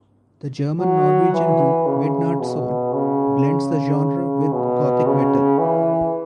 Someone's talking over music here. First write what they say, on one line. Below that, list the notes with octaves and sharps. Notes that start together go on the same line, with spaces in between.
The German-Norwegian group Midnattsol blends the genre with gothic metal.
F#3
E3
C#3
B2
C#3
B2
C#3
E3